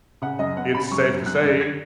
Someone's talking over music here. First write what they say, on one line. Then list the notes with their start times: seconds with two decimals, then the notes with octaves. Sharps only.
it's safe to say,
0.22 C#3 F#5
0.39 F#2 D#5
0.57 B3 F#5
0.74 C#3 B5
0.91 F#2 C#6
1.09 F#2
1.26 F#2 F#6
1.43 F#2
1.61 G#6